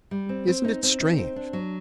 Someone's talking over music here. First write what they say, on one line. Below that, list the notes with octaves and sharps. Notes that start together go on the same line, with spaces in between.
Isn't it strange?
G3
C4
C4
D#4
C4
D#4
C4
D4
F#3